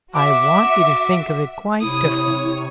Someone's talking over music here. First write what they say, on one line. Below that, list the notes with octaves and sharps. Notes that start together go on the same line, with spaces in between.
I want you to think of it quite differently.
F#4 E5 D6
C3 E4 C#5 D#6